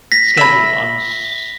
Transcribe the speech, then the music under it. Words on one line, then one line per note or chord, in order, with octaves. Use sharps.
scheduled on S
A#6 B6
E5 B5